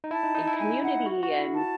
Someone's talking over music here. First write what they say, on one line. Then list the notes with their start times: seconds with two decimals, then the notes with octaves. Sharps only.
in community, and
0.04 D#4
0.11 E4 A5
0.23 D#4
0.35 D#4
0.47 E4
0.59 G#5
0.83 F#5
1.06 F#4
1.23 F#4
1.38 E4
1.55 A5